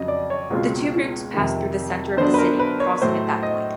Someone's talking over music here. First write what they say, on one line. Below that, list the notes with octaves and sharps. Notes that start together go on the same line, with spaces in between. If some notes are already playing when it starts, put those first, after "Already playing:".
The two routes pass through the center of the city, crossing at that point.
Already playing: F2 C#3 F#3 D#5
D5
C#5
C#2 B2 G#3 C4 F4
F2 C3 D#3
D3 F#3 B3 D4 C5
B4
A#4
B4
C#5
A2 F#3 A3 C5
D#5